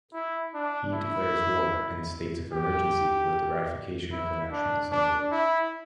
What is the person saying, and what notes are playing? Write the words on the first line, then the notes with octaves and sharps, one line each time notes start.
He declares war and states of emergency with the ratification of the National Assembly.
E4
D4
E4
G4
E4
D4
D4
E4